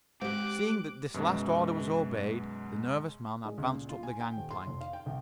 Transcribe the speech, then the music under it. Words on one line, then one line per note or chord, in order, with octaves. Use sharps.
Seeing that this last order was obeyed, the nervous man advanced up the gangplank.
G#3 C4 G4 D6 F#6
F#2 B2 F#3 G#3
G#3
C#2
A#2
F4
G#5
G5
D#1
C6
F1
F5
G5
C2